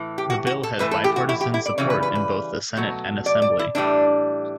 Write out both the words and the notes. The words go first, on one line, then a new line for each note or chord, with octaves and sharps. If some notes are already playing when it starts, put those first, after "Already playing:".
The bill had bipartisan support in both the Senate and Assembly.
Already playing: A2 E3
G4
F#4
F#4
A4
A2 E3 A3 B4
A4
G4
F#4
E4
G4
E4
D5
C#3 E3 G3 C#5
B4
B4
B4
B2 F#3 A3
D5
D5
E4
A2 E3 G3 D4